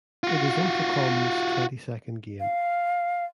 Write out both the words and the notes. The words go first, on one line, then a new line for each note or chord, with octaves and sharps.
It is Infocom's twenty-second game.
F4 F#4
F5